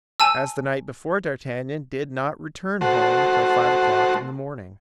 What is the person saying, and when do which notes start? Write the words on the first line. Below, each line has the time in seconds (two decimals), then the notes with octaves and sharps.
As the night before, d'Artagnan did not return home till five o'clock in the morning.
0.20 G#5 A5 E6
2.81 A3 F#4 C5